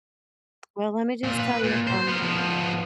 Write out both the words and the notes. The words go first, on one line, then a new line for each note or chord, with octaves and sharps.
Well, let me just tell you from
A#2 F4
B4
A#2
C5
B3 A#4
F3 B3